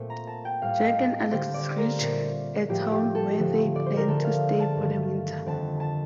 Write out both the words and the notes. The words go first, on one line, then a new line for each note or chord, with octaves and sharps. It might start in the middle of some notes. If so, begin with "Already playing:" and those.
Jack and Alex reach a town where they plan to stay for the winter.
Already playing: A#2 A3 C4
A#5
A5
G5
A2 G3 C4 F5
D#5
D3 G3 C4 C5
D5
A#4
A#2 A3 C4
A2 F3 A3 C4 G4
G4
A4
D3 F3 A3 C4
D5
C5
A#4
D3 A3 C4 A4
F5
A5
G2 D#3 A3
F2 D3 A3 C4 A5
A5